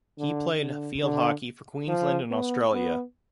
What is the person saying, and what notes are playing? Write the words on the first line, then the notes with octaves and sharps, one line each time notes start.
He played field hockey for Queensland and Australia.
D3
D3
D3
F3
B3
B3